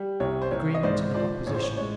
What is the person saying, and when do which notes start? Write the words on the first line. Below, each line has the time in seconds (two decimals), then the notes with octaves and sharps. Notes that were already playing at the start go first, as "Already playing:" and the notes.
Agreement and Opposition.
Already playing: G3
0.20 C2 C#5
0.42 C5
0.51 C2 C#5
0.74 D#5
0.83 G#2 C5 D5
1.14 F3 C5 D5
1.47 A1 C#5
1.54 C5
1.63 C#5
1.77 G#3 C#5